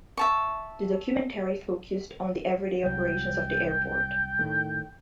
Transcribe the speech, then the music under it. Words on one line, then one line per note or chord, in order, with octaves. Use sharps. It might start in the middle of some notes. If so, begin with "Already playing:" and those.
The documentary focused on the everyday operations of the airport.
E5 A5 C#6
C2 F#3 G5
A2 D#3 A3